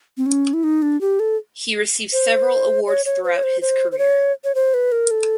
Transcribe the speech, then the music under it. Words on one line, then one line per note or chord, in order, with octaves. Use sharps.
He received several awards throughout his career.
C4
C#4
E4
D#4
D4
G4
A4
C5
C#5
C#5
C5
C#5
C5
C5
C5
C#5
C#5
C5
B4
A#4
A4